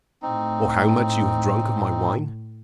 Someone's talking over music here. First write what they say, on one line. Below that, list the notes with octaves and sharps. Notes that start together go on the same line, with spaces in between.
"Or how much you have drank of my wine?"
A2 C4 D#4